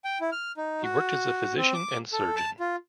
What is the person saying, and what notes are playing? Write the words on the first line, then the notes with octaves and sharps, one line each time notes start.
He worked as a physician and surgeon.
G5
E4
F6
D#4
F#4
C4
D6
A4
A5
F4